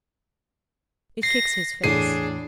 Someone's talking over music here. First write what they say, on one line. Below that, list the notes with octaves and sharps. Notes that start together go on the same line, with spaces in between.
It kicks his face.
A#6 C7
E2 A2 D4 G#4 C7 D#7